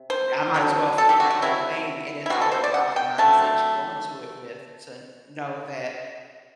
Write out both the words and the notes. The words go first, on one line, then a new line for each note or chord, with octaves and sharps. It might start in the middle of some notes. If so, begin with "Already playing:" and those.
eh, I might as well forget the whole thing." And it's all about the mindset you go into it with to know that,
Already playing: C3
C5
D3 F#3 C4
A4
G4
F#4
F#4
C3 F#3 C4 E4
E4
B2 G3 C4 F#4
A4
C5
D5
F#5
G5
D3 F#3 A3 C4 A5